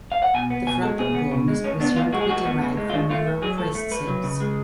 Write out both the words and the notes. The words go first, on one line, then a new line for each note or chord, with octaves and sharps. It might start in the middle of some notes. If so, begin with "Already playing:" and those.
The frontal bone is presumed to be derived from neural crest cells.
F5
F#5
B2 G#5
B3
B2 G#5
G#3 A4
B2 G#4
B3
B2
G#3
A2 C#4
B3 D4
A2 F4
G#3 F#4
G#4
A2 F#4
B3
A2
G#3
F4
A2 D4
A3 F4
A2
F#3 G#4
A2 A4
A3
A2 B4
F#3
C#3
G#3